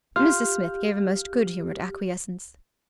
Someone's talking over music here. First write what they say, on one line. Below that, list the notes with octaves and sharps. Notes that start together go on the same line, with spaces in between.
Mrs Smith gave a most good-humoured acquiescence.
F4 G4 F6